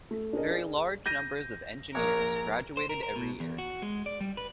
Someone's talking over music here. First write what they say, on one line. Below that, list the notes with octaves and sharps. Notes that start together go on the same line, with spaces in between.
Very large numbers of engineers graduated every year.
A3
D4 G#4 A#4 D#5
G#4 D5
G6 A#6 D#7
A#1 A#4 C#5
C5
A#4
A#4
B2
E2
F#4
G#3
D5
G3
B4